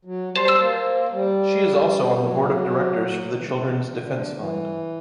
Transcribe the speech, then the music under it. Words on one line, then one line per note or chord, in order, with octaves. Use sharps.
She is also on the Board of Directors for the Children's Defense Fund.
F#3
G3
A#3
G3
F#3
D3
E3
D3
E3
D3
E3
D3
E3
D3
E3
D3
E3